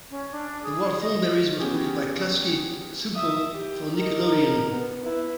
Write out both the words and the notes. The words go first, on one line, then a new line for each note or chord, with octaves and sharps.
"The Wild Thornberrys" was produced by Klasky Csupo for Nickelodeon.
C#4
D4
G#4
D#5
B3 C#4 G4 G#4
E5 D#6
G4
A#4 D#5
A#4
B3
E4 B4